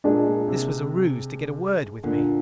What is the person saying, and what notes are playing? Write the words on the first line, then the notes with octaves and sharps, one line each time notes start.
This was a ruse to get a word with me.
A#2 G#3 D4 G#4 D5
A#2
C3
A#2 D3